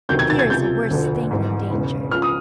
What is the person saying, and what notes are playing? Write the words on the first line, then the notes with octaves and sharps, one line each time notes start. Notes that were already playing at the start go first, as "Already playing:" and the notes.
Fear is a worse thing than danger.
E1 D2 C3 D#3 F#3 G6
G#6
A6
G#6
C#2 C3 F3 G6
E1 D2 D3 F3
G#1 G#2 E3
E1 E2 C#3
C#2 C#3 F3 F6
D#6